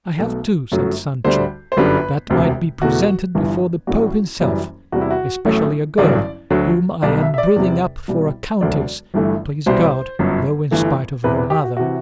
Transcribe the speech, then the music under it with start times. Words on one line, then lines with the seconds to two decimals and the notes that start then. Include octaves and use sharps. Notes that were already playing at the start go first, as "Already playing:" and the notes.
"I have two," said Sancho, "that might be presented before the Pope himself, especially a girl whom I am breeding up for a countess, please God, though in spite of her mother."
0.19 B1 B2 A3
0.72 G1 F#2 F#3 A3
1.24 D2 D3 G3 C5
1.72 C5
1.77 G1 F#2 D3 G3 B4
2.30 E1 D2 C3
2.82 E2 B2 A3 F#4
3.35 G1 G2 E3
3.87 A1 A2 G3 F#4
4.40 F#1 F#2 E3 G3
4.92 E2 C3 G3 F#4
5.01 E4
5.11 F#4
5.45 A1 A2 F#3 A3
5.98 A1 G2 D3 F#3 D5
6.50 D2 D3 F#3
7.03 B1 B2 G3 D5
7.21 E5
7.34 E5
7.38 D5
7.56 E2 C3 G3
8.08 C2 B2 G3
8.61 E1 D2 D3 F#3 D5
9.14 G1 G2 E3 A3
9.66 C2 B2 G3 C5
10.19 G1 F#2 F#3
10.71 G1 G2 E3 A3
11.24 E2 C3 E3 B4
11.37 B4
11.50 G4
11.64 F#4
11.77 C3 E3 F#4